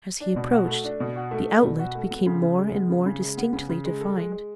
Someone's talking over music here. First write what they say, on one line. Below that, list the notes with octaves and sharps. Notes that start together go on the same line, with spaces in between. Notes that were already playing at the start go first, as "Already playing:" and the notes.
As he approached, the outlet became more and more distinctly defined.
D4
B2
F#4
A3
D4
B2
F#4
A3
D4
B2
F#4
A3
B3
C#3
C#3
G#3
B3
C#3
C#3
G#3
B3
C#3
C#3
G#3
A4
G#3
G#3